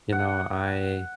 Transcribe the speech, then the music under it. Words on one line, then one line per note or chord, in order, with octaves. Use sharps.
you know, I
F#5